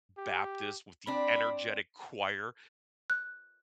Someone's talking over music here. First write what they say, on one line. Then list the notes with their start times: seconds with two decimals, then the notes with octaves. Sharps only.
Baptist with the energetic choir.
0.17 G4
1.07 C4 D4 B5
3.10 F#6